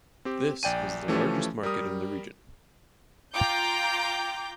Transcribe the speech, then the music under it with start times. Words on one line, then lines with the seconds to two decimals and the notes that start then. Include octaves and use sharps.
This is the largest market in the region.
0.25 C4 G4
0.63 A#1 D5 G5 G#5 D#7
1.08 E3 F3 A3 C#4 G4
1.63 G3 A#4 D#6
3.32 F4 G5 A#5 D6 G6